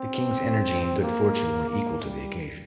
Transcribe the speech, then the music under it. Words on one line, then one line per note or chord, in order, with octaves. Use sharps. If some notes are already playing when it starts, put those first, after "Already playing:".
The king's energy and good fortune were equal to the occasion.
Already playing: C4
A#3
A#3
G3